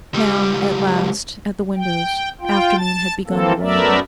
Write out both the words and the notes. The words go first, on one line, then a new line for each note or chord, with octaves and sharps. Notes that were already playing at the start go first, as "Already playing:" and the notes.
Now, at last, at the windows; afternoon had begun to wane.
C#2 G3
G5
F4 G5
A5 A6
E3 A#3 C4 A4
F#2 A3 B3 A#4 D5 E5